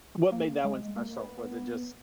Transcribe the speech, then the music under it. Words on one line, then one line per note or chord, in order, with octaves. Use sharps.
What made that one special? Was it just
A#3
G#3
A#3
B3
B3